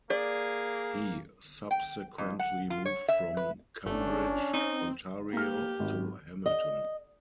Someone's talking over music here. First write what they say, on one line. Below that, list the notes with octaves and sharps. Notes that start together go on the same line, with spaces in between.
He subsequently moved from Cambridge, Ontario to Hamilton.
A#3 G#4 D5
G5
F2
F#5
F4
C#5
E5
B4
G1 A3 C#4 D4
C4 D#4
A#3 G4 F6
G#1
D#5